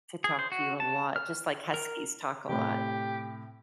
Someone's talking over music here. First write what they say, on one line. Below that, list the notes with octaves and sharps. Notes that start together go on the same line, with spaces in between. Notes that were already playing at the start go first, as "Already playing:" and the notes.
to talk to you a lot, just like Huskies talk a lot.
G#4
C5
F#4
A5
F6
A#4
A2 C3 G4